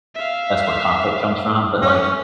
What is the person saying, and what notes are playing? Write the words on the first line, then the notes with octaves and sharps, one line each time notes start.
that's where conflict comes from, but like
E5 F5
C#4